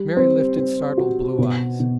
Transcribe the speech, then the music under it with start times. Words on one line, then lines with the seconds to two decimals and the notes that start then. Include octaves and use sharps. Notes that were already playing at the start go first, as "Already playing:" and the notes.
Mary lifted startled blue eyes.
Already playing: G3
0.17 C4
0.57 C4
0.98 F#4
1.38 B2
1.80 B2